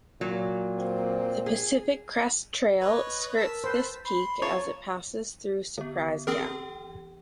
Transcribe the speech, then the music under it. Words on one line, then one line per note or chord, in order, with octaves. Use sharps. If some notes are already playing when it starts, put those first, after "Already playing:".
The Pacific Crest Trail skirts this peak as it passes through Surprise Gap.
A#2 F#3
C4
G#4
B4 C#5 D#5
A#4 A5 E6 B6
B4 C5
B5 C6
F4 C#5 A5 A#5
D3 B3
E3 C4 G4 G#4 A#4 G5